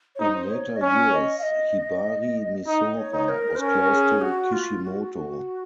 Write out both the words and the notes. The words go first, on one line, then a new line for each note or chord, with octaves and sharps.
In later years Hibari Misora was close to Kishimoto.
C#5
D#4 C5
C#5
D#5
C#4 C#5
D#5
F5
D#5
D#4 D#5
C#5
D#4
A#4
C5
C#4 A#4
G#4
F#4
F4
F#4
F#4